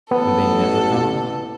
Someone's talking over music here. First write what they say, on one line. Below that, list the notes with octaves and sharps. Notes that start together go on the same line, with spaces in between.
Would they never come?
A1 B3 A4